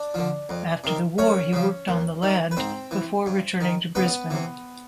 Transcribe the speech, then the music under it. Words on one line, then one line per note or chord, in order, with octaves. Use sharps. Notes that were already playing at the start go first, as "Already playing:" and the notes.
After the war he worked on the land before returning to Brisbane.
Already playing: D4 D5
D3 F3
F2
C3 D#3
F#2 C#4 C#5
C#3 F3
D#2
D#3
B4
G#2 C4 C5
E3
G2
D#3
C#2 B3 B4
C3 E3